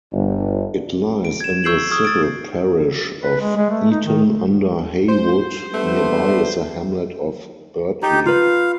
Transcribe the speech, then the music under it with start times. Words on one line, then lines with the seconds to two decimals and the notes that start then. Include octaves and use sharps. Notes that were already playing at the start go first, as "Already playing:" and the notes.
It lies in the civil parish of Eaton-under-Heywood; nearby is the hamlet of Birtley.
0.13 G1
1.25 D7
1.40 G#6 E7
1.64 C#6 E6 G6 C7 D7 F#7
1.91 C#6 D#6 F6 G#6
2.05 A6 D7
3.22 B4
3.41 G#3
3.56 G#3
3.70 A3
3.91 D#4
4.04 D#3
5.08 C5
5.74 G3 A3 B3 D4
8.02 D#4 G4 A6
8.26 F4 B4 F5